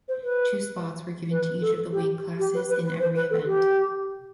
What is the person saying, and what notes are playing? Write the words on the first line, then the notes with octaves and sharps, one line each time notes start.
Two spots were given to each of the weight classes in every event.
C5
B4
B4
A4
G4
G4
B4
B4
B4
C5
B4
A4
G4